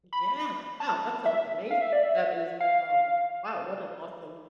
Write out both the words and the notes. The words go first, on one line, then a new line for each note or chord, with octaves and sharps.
Yeah. Wow, that sounds amazing. That is, um, wow, what an awesome,
B5
A5
E5
F5
E5
D5
E5
F5